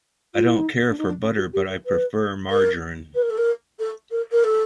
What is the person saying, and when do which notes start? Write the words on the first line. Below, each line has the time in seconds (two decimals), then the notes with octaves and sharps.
I don’t care for butter; I prefer margarine.
0.34 F4
0.45 E4
0.56 D#4
0.88 D4
0.97 D#4
1.06 D4
1.20 C#4
1.37 F#4
1.53 G4
1.69 A#4
1.85 B4
2.49 A#4
3.14 B4
3.21 A#4
3.29 A4
3.37 A#4
3.79 A4
4.10 A#4
4.31 A#4
4.43 A4